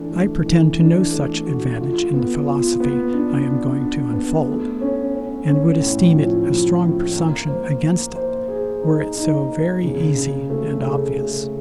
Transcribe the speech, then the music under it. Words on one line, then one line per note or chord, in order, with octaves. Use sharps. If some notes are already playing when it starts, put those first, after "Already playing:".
I pretend to no such advantage in the philosophy I am going to unfold, and would esteem it a strong presumption against it, were it so very easy and obvious.
Already playing: E3 A3 D4
A3
E3
D4
A3
F#4
F4
B3
F4
B3
D4
D4
D4
B3
A3
C#4
C#4
C#4
A2
F3
F3
F3
A#3
C5
A#3
C5
G#4
D#4
D#4
A#3
C#3
C#3
A3
C#3
A3